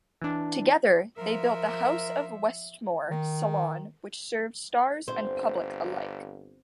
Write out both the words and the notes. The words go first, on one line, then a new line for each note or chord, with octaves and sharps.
Together, they built the House of Westmore salon, which served stars and public alike.
E3 D4
F3 A#4 E5
D#3
G1 C4